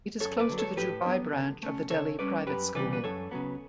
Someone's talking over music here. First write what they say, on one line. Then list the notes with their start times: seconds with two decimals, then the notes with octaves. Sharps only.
It is close to the Dubai branch of the Delhi Private School.
0.20 F#2 A4 C#5
0.39 B4 D5
0.49 D3 F#3
0.59 A4 C#5
0.77 A2 G4 B4
1.06 F#3 B3 D4
1.33 D3
1.63 A3 C#4
1.90 C#3 A4 C#5
2.19 G3 C#4 B4 D5
2.47 F#2 G4 B4
2.75 C#3 E3 G3 B4 D5
2.93 B4
3.04 F#2 A4 C#5
3.31 C#3 F#3 B3